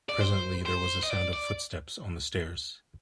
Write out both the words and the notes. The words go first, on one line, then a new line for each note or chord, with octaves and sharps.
Presently there was a sound of footsteps on the stairs.
D5
C5
C5
D#5
D5
D5